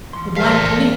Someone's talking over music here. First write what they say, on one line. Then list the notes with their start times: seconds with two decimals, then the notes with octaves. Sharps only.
The Black Police.
0.13 E3 C6
0.37 A4 A#4 C5 D5 F5 F6 B6
0.52 A5 F6